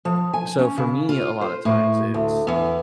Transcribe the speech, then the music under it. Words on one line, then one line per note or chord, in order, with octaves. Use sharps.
So for me, a lotta times, it's
F3
G#5
C#4
C#3
F4
C5
A2
D2
E2